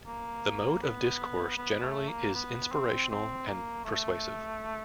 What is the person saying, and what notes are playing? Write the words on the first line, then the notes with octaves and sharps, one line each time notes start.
The mode of discourse generally is inspirational and persuasive.
A#3
B3
B3
A3
A#3
B3
C4
C4
A#3
A3